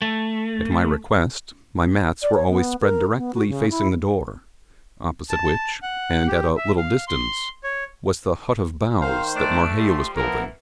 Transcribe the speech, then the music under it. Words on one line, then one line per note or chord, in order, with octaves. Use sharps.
At my request my mats were always spread directly facing the door, opposite which, and at a little distance, was the hut of boughs that Marheyo was building.
A3
D5
C#5
B3
A#4
B3
F#4
C#3
E4
A5
F#5
G4
E5
F5
C6
C#5
D#3 C5 F5
A3 D4
F3 G3 C6
E3 F3 B3 A#4